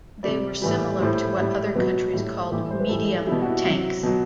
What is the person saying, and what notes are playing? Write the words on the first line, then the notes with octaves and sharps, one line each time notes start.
They were similar to what other countries called medium tanks.
C3 G3 D5
A2 E3 G3
A2 G3 C5
A2 G3
B2 F#3 B4
A2 G3
A2 E3 G3 G4
C5
B4
A2 E3 G3 A4
B2 G3 E4
F#4
E4
C3 F#3
B2 F#3